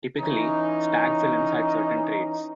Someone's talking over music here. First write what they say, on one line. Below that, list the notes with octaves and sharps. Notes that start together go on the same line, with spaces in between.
Typically, stag films had certain traits.
E3 C#4 D#4